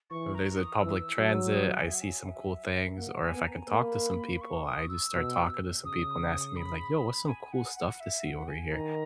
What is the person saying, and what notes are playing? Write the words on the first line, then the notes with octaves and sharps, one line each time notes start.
if there's a public transit, I see some cool things, or if I can talk to some people, I just start talking to some people and asking me like, "Yo, what's some cool stuff to see over here?"
E3 C#6
A#5
D#6
E3 E6
F#3
D#6
F#5
G#5
E5
F#5
G#5
E5
A#3 F#5
G#5
B3
A#5
A#3 B5
C#6
D#6
E6
B2
C#3 D#6
B5
G#5
F#5
F#5
E5
F#5
G#5
D#3 A#5